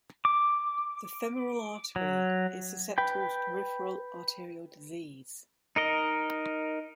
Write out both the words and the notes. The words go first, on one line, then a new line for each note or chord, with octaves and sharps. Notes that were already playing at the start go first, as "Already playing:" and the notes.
The femoral artery is susceptible to peripheral arterial disease.
D6
F#3
B4 G5 B5
D#4 A#4 D#5